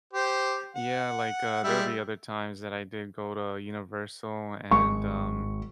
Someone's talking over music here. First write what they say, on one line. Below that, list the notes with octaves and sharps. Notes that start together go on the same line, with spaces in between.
Yeah, like, uh, there would be other times that i did go to Universal and um,
G4 C5
F#5
G3 G#3 E5
G#1 G#3 C#6